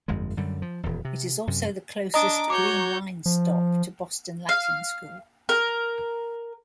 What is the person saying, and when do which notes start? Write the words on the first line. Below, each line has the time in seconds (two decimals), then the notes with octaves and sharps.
It is also the closest Green Line stop to Boston Latin School.
0.08 G1 F2 G#3
0.37 F#2 D3 G3
0.62 F3
0.83 D#1 E2
1.05 C3
1.47 F#2 C3
2.14 D4 D#5 A#5 D6 D#6
2.50 F#4 C#5 D6 G6
3.26 F3
4.49 F5
5.49 A#4